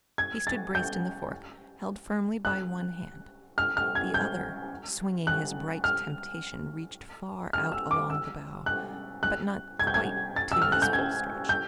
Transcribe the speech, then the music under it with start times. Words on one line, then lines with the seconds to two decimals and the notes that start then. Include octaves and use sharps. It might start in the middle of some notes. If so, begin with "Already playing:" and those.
He stood braced in the fork, held firmly by one hand--the other, swinging his bright temptation, reached far out along the bough, but not quite to his full stretch.
0.18 G#6
0.47 A6
0.75 G6
2.45 F#6
3.58 F6
3.77 F6
3.95 G#6
4.14 G6
5.27 F#6
5.84 F6
7.53 F6
7.72 E6
7.91 D6
8.10 E6
8.66 F#6
9.23 F#6
9.80 G#6
9.87 G6
9.94 G#6
10.36 A6
10.52 E6
10.62 F6
10.72 F#6
10.82 G6
10.93 G#6
11.49 G6